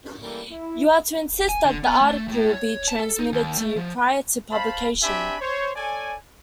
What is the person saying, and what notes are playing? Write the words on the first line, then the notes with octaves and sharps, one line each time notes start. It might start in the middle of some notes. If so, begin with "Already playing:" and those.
You are to insist that the article be transmitted to you prior to publication.
C#3 E3 G3 A3 A#3
E4
G#5
D3
B3
A3
A2
C#5
A5
A4
D#4
D#2
A3
F3
C5 F5 A5 B5
C4 D4 G4 E5 G#5 B5
C5 C#5
A4 C#5 D5 G#5